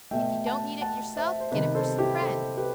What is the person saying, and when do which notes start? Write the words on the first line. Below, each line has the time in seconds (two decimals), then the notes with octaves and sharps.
If you don't need it yourself, get it for some friend.
0.11 B2 A3 E5 G5
0.47 F#5 A5
0.81 F#5 A5
1.17 C5 E5
1.40 C5
1.51 C3 D#3 G3 B3 B4 D#5
1.75 A4 C5
1.99 E4 G4
2.22 A4 C5
2.57 G4 B4